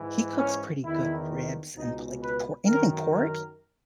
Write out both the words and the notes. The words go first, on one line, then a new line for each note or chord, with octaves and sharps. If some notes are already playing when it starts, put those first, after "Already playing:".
He cooks pretty good ribs and p like, por anything pork.
Already playing: G#2 E3
C#4
E2 D#3 E4
C#2 B2 D#4
B4
F#2 D#3 A#4
A#4